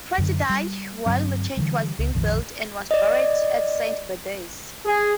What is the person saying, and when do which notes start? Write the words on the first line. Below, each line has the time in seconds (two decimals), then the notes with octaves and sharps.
Pratt died while the church was being built and was buried at Saint Bede's.
0.18 F#2 D3
0.50 G3
1.06 G2 D3 F#3 C4
1.57 D3 E3 G3
1.99 C#2
2.15 A#1 F2 D3 D#3
2.91 D5 D#5
4.85 G#4